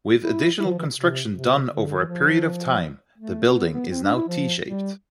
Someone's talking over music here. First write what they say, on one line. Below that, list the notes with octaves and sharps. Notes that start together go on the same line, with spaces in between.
With additional construction done over a period of time, the building is now T-shaped.
E4
E4
E3
F3
E3
C3
C3
D3
E3
F3
A3
C4
B3
B3
C4
D4
E4
F3
G3